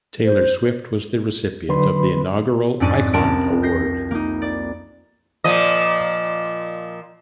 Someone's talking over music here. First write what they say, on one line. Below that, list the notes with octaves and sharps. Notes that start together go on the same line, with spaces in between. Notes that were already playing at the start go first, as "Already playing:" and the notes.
Taylor Swift was the recipient of the inaugural "Icon" award.
C5
D3 F#3 B4 B5 C6
F2 G#2 C#4 D4 D5 D#7
C2 C#4 D4 A#4 A5 D7
G6 A#6 C7
A#3 D#4
D5
A#2 F3 D#5